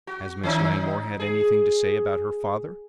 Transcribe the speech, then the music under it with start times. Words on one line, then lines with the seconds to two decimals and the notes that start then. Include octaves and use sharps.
"Has Miss Langmore had anything to say about her father?"
0.07 F#4
0.43 D#3 C#4 D#4
1.20 G#4